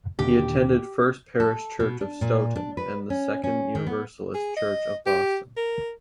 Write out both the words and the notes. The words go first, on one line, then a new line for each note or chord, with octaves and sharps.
He attended First Parish Church of Stoughton and the Second Universalist Church of Boston.
D#2 A#2 D3 G4
A4
B2
D4
A#2
D4
B4
C#4
C#4
D#3
B3
G#4
D#5
G4
A#4